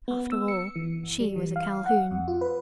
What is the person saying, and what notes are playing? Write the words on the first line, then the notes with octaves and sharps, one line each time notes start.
After all, she was a Calhoun.
B3
E6
C#7
E3
G1
G3
E3
F5
F#5
F2
F4
B4